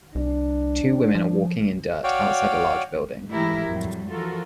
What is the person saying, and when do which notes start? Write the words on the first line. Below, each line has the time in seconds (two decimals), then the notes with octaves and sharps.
Two women are walking in dirt outside a large building.
0.15 C2 D4
1.15 F3
2.04 F#4 C#5 D5 F5 G5
3.31 G#2 E3 A3 E4 G4 A#4
3.68 F2 A2 F#3 G3
4.10 E3 F3 F4 F#4 A4 A#4